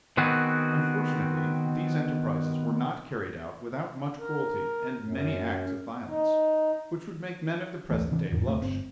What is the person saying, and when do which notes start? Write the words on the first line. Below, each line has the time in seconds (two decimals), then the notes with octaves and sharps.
Unfortunately these enterprises were not carried out without much cruelty and many acts of violence which would make men of the present day blush.
0.17 B2 D#3 B3 C4 F#4 G#4
4.19 A#4
5.03 F#2
6.08 D#4
7.90 D#1 C2 E3 A3
8.11 C3 E3 D4
8.32 E2 G#2
8.47 D#1 C3 A3
8.62 G1 C4